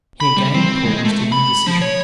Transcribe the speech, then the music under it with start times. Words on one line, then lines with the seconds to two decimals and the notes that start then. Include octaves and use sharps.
He again paused in indecision.
0.20 B5
0.37 G3
0.54 C4
0.85 G#3
1.05 A3
1.32 B5
1.67 F3
1.82 C#5